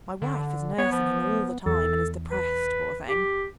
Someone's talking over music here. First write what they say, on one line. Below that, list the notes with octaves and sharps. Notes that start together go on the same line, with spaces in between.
My wife is nursing him all the time, and is depressed, poor thing.
D3
B3 C#5
F3
E2 A4
B4
G4